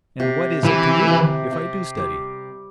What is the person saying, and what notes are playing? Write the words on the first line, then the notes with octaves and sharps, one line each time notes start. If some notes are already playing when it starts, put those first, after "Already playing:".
"And what is it to you, if I do study?"
C3
C3 E3
C3
C3
G3